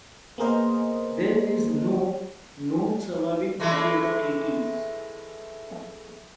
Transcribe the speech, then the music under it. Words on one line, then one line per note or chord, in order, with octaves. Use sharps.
There is no known surviving copy of the treaties.
A#3 B3 G#4 A#4 C5 D#5
E3 G#3 A3